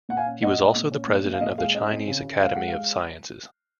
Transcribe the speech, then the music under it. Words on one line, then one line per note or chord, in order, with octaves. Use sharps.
He was also the President of the Chinese Academy of Sciences.
A#2 F#5
F5 G#5
C#4
A#2 D#5 F#5
G#3
A#2
C#4
A#2
A#2
F5
A#2 D#5
G#3 F5
C#4 D#5
C4
C#3
C#3
G#3 F5
G#3 F#5
F5
G#3